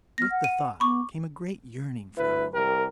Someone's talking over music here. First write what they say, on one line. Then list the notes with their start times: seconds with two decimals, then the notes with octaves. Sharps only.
With the thought came a great yearning for home.
0.18 B3 F6 A#6
0.30 F#5
0.44 D#7
0.80 B3 B5 C#6 D6
2.17 D2 E4 B4
2.53 C2 G4 A#4